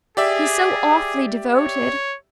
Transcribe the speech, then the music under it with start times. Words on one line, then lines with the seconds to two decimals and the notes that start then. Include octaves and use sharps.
"He's so awfully devoted!"
0.17 G4 G#4 D5 E5
1.53 C#5